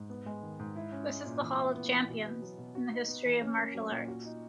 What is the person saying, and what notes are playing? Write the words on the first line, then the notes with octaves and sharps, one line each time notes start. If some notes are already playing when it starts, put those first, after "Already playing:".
This is the hall of champions in the history of martial arts.
Already playing: G#2
B3
G#3
D#3
G#2
E4
C#4
G#3
A#2
E3
E4
B3
E3
B2
B3
F#3
B2
F#4
D#4
B3
E3
C#4
A#3
F#3
A#2
F#4
D#4